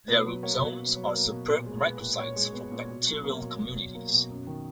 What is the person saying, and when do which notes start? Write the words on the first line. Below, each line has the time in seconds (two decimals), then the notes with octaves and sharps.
Their root zones are superb micro-sites for bacterial communities.
0.08 B2 B4
0.26 F#3
0.43 A#3 C#5
0.61 B2
0.79 B2
0.96 F#3
1.14 A#3
1.31 B2
1.48 A#2
1.66 G#3
1.83 B3
2.01 A#2
2.19 A#2 C#5
2.36 G#3
2.53 B3
2.72 A#2
2.90 B2
3.07 F#3
3.24 A#3
3.42 B2
3.59 B2
3.76 F#3
3.95 A#3
4.12 B2
4.30 F#2
4.47 D#3